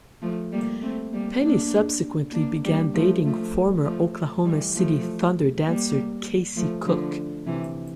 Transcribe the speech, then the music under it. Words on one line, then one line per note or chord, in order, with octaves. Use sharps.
Penny subsequently began dating former Oklahoma City Thunder dancer Kaci Cook.
F3 A3
G3 A#3
A3 C4
G3 A#3
A#3 D4
A#3 D4
G3 A#3
F3 A3
F3 A3
F3 A3
E3 G3
F3 A3
G3 A#3
F3 A3
D3 F3
C3 E3